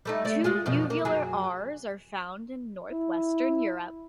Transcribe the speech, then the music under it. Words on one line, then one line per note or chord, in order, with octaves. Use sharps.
Two uvular Rs are found in north-western Europe.
G3 A3 D#4
A3 D5
G#3 F4 G#4
F#2 B2 F3
A#3
F#2 F#3 G#4
E4